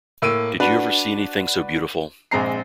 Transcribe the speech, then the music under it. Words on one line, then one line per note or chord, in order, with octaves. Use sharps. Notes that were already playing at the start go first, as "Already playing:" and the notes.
Did you ever see anything so beautiful?
A2 A#3 E6 D7 D#7
D4 F#4 B4
A#1 G#3 C4 A#5 C7